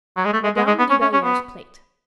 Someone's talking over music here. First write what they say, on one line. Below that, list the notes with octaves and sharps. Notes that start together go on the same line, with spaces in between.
Madame de Belliere's Plate.
F#3
G#3
A3
G#3
G#3
G#3
B3
C#4
C#4
C#4
B3